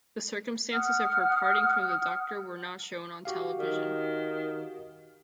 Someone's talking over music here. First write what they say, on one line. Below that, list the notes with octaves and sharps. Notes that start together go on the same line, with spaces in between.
The circumstances of her parting from the Doctor were not shown on television.
F#5 D#6 F6
F#4 G4 F5
D#3